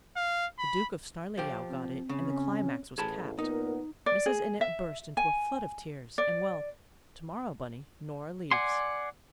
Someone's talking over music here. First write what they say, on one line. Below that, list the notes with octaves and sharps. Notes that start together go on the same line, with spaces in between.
The Duke of Snarleyow got it and the climax was capped. Mrs. Innitt burst into a flood of tears and--well, to-morrow, Bunny, Norah leaves.
F5
B5
F3 G4
C4
C#3 C#4
A1 G#4 A5 B5
A#2 B3 D#4 A#4
D5
G#4
E5
G#5
D5
D5 F#5 G#5 C6